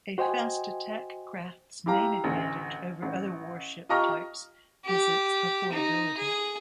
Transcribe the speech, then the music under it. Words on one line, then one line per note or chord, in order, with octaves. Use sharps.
A fast attack craft's main advantage over other warship types is its affordability.
F#4 C5 D#5 G5 G#5
E4 G4 F5 A#5
A1 D2
A1
F4 G4 D#5 A#5 C#6 F6
G4
D#4
G#4